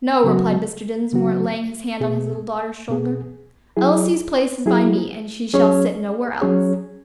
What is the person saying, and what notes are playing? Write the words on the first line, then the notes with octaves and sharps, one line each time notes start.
"No," replied Mr. Dinsmore, laying his hand on his little daughter's shoulder, "Elsie's place is by me, and she shall sit nowhere else."
C#3 F#3 B3 F#4
C#3 F#3 B3 F#4
B2 B3 G#4
B2 B3 G#4
F#3 E4 G#4
F#3 E4 G#4
F#3 C#4 G#4 C#5
F#3 C#4 G#4 C#5